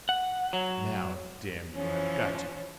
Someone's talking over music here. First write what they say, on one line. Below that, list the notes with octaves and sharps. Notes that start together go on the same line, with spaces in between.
"Now, damn you, I've got you!"
F#5
F#3
E3 F3 C#4